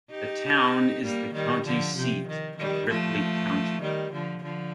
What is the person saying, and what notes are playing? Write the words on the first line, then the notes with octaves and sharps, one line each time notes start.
The town is the county seat of Ripley County.
D#4 G4
G3 A#3
D#3 G3
D3 F3
C3
D#3
D#3 G3
F3 A3
D#3 G3
D3 F3
D3 F3